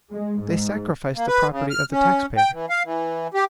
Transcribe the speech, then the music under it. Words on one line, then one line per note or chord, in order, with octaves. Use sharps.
They sacrificed the property of the tax-payer.
G#3
G#2
A#3
B4
C#3
F6
C#4
G5
E3
F5
E3
G4